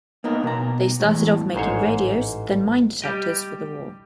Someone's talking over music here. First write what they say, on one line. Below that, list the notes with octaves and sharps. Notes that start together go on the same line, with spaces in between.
They started off making radios, then mine detectors for the war.
A#3 B3 D#4 A#4
B2 A#5
E2 A2
A1 G#2 C5 C#5
G3 G4 D#5